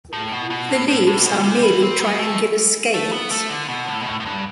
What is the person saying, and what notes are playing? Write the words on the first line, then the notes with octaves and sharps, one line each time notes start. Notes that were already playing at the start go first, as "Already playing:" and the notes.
The leaves are merely triangular scales.
A2
B2
B2
A2
A2
A2
C3
B2
D3
C3
E3
C4
B3
A3
A3
B3
A3
D3
B2
A2
B2
A2
A2
G2